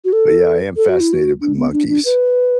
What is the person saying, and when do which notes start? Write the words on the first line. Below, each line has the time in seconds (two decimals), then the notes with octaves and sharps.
but, yeah, I am fascinated with monkeys.
0.05 F#4
0.13 A4
0.77 A4
0.89 F#4
1.00 E4
1.13 F#4
1.41 D4
1.57 B3
1.73 D4
1.88 D4
2.05 B4